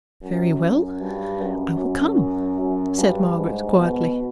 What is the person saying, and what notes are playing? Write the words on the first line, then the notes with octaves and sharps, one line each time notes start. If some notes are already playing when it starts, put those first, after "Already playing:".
'Very well, I will come,' said Margaret, quietly.
F#2
F#2
G2
F#2
F#2
F#2
G2
G#2
B2